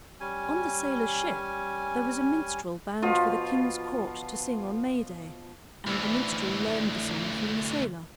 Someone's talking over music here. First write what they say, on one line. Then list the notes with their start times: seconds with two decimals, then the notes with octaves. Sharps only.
On the sailor's ship there was a minstrel bound for the king's court to sing on May Day; and the minstrel learned the song from the sailor.
0.20 G3 C#4 G#5
3.02 B2 F3 F4
5.87 D2 E3